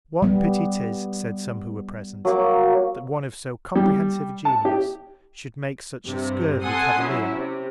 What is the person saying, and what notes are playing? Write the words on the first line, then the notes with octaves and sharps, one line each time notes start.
What Pity 'tis, said some who were present, that one of so comprehensive a Genius, should make such a scurvy Cavalier?
G3 B3
F#3 A#3 D6
G3
A5
G4
G2 C3
A4 F#5 G#5 C6 D#6
F#3 C#4 E4
C3